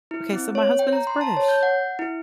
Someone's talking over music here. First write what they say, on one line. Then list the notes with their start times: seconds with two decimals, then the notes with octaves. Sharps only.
Okay, so my husband is British,
0.11 E4
0.33 C4
0.55 C#5
0.79 G5
0.93 A#5
1.07 C6
1.21 A5
1.37 C#5
1.48 G6
1.63 F#5
1.99 E4